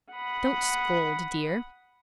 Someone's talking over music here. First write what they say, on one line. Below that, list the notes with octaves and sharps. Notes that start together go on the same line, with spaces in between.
'Don't scold, dear.
F#5 B5 D#6